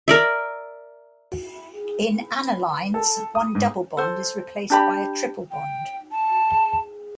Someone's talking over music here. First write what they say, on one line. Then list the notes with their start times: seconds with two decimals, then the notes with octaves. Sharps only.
In annulynes, one double bond is replaced by a triple bond.
0.08 A#4 D5 E5
2.94 A4
3.35 D#6
3.55 G#2
3.97 A4 C5
4.70 D4 G4 B5
5.51 G5
6.12 A5